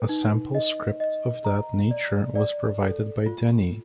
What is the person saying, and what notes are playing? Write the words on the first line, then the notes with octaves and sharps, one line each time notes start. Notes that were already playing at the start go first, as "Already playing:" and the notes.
A sample script of that nature was provided by Denny.
Already playing: B4
D#4
D#5
D#5
A#5
D5
D5
A4
F4